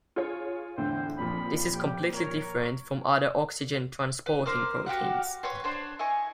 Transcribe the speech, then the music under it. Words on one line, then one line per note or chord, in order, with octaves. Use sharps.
This is completely different from other oxygen transporting proteins.
F4 G#4 C#5
E2 A2 D3 C5 G5
F2 A#2 F3 B5
G4
A#4 C#5
B4
A#4 C5 D6 F6
F#4 G4 F5 F#5
B4 C#5 F#5 C6
D4 C5 C#5
E4 D#5 G#5 C#6